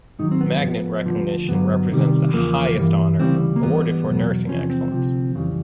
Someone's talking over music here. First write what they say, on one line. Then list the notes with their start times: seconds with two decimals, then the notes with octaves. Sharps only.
Magnet recognition represents the highest honor awarded for nursing excellence.
0.19 G#2 D#3 F#3 D#4
0.31 C4
0.41 B3
0.62 G#2 F3
1.06 D2 D3 F3
1.48 G2 D3 F#3 B3
1.92 C2 C3 D#3 G3
2.34 E2 C#3 F3 A#3
2.77 G2 E3 G3
3.19 D2 C#3 E3 G3 C4
3.56 A#3
3.63 G#2 E3 G3 B3
4.06 E2 B2 F#3
4.48 E2 C3 F3 C#4
4.70 C4
4.91 D2 C3 F3
5.35 F2 C#3 E3 G3